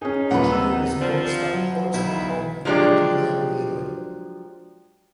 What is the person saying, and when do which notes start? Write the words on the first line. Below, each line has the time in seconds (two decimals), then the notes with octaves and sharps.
Engineers noticed that parts of the concrete had delaminated.
0.02 C#4 D#4 G#4
0.31 D#2 A#2 C#3 B3 F#5 B5
0.52 C3 E6
1.01 F3 C5 D5
1.53 F#3
1.94 B1 D#4 E4
2.65 F3 F#3 G#3 D4 G4